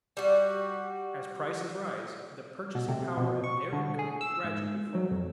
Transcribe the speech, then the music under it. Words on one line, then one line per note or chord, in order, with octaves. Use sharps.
As prices rise, the purchasing power of their incomes gradually falls.
G3 F#4
B2
C3
B2
C#6
D3
G#4
E6
G#2
F#3
F2